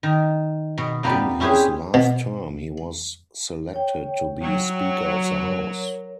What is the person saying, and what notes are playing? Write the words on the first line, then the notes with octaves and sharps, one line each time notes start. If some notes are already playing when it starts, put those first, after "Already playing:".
In his last term he was selected to be Speaker of the House.
D#3
B2
F2 A#3 B3 G4 B4 D5
C#4 E4 G4 G#4 B4 C5
B2
C#5 G5
F#3
A#4 C#5